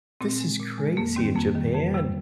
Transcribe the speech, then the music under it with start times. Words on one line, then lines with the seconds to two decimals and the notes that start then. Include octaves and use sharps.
This is crazy! In Japan?
0.21 A#2 C4
0.40 G#3
0.59 A#2
0.78 G#3
0.97 F2 A#3
1.16 D#3 G3 C4
1.36 F2 A#3
1.55 D#3 G3
1.74 F2
1.94 C3 G3